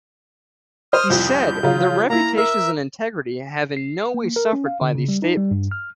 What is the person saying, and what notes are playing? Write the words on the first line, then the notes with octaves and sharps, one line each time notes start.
He said, Their reputations and integrity have in no way suffered by these statements.
C5 D#6 F6
C2 F2 G6
C#3 F#3 F4
A#3 E4 A#5
A#4 E5
C7
A#3
A#4
C#4
F5
D3
C#3
G3
D#4
G3
G2
F6